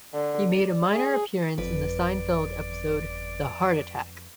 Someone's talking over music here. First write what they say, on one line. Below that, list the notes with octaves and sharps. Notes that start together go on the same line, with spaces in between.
He made a minor appearance in the "Seinfeld" episode "The Heart Attack".
D3
D5
G#4
G1 F2 B4 D5